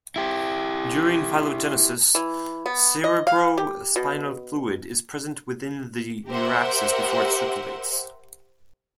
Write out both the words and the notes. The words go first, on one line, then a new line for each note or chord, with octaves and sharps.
During phylogenesis, cerebrospinal fluid is present within the neuraxis before it circulates.
E4 G4
E3
B3
D#5
F5
G4
B2
G4 A#4 C5 E5 F#5